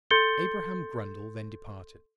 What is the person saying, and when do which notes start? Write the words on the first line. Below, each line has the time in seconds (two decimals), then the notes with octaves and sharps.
Abraham Grundle then departed.
0.11 A4 C6 G6 A6 C#7 G7